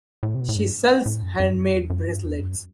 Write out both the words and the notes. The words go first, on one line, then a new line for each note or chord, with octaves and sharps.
She sells handmade bracelets.
A2
C3
B2
A2
G2
A2
F#2
F#2
G2
F#2
E2
F#2
G2
E2
F#2